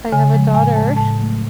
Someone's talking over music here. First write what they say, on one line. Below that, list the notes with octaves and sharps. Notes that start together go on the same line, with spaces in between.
I have a daughter
C#3 G#5
F3 G#3
A2 G#5
G#3 A5
A2 A5
F#3 A3